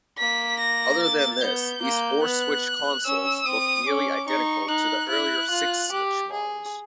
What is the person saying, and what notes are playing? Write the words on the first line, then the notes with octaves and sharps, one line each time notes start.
Other than this, these four-switch consoles looked nearly identical to the earlier six-switch models.
A#3 B6
A#6
A6
B3 G6
A#3
B3 F#6
C#4 E6
C4 D#6
C#4 D6
D#4 C#6
D#4 F#6
E4 F#6
F4
G4
G#4